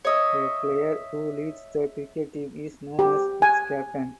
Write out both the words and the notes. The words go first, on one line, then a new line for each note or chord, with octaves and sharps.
A player who leads the cricket team is known as its captain.
C#5 D#5 E5
G4
G#5